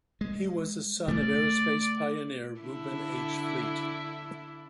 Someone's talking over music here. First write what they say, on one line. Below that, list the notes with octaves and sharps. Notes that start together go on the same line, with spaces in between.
He was a son of aerospace pioneer Reuben H. Fleet.
G#3
C#3 A3 D5
D3 D4 E4